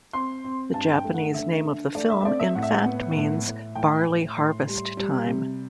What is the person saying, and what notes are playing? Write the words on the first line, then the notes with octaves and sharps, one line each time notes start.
The Japanese name of the film in fact means, Barley Harvest Time.
C4 C6
C4
G2 A5
G5
A3
F#5
D3 E5
D3
A3 D5
E5
E5
C4 D5
E5
A2 F#5
E5
F#5
B3
A2
A2
A2 G5
A2
A2 C6
G3
G3
C3